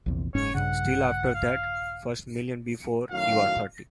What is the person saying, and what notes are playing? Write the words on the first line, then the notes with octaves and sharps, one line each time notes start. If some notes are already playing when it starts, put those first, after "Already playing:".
Still after that first million before you're thirty.
A#1 E2 C3
F#1 G#2 C#4 C#5
A#1 G2 C#3 F#5
F5
F#2 A2 D#3 F#4 F5